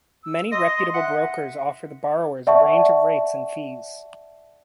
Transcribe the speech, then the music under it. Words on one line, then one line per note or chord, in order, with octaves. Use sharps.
Many reputable brokers offer the borrowers a range of rates and fees.
E6
D#5 C6
E5 F#5
D5 E5 F#5 A5 C#6